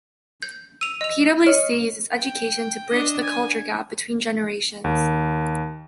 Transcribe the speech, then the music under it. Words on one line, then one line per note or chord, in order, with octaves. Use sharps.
PwC uses education to bridge the culture gap between generations.
G6
E6 D#7 F7
D#5 F7
C#5 D#5 F6
G5
D4 D#5
G#5
D#2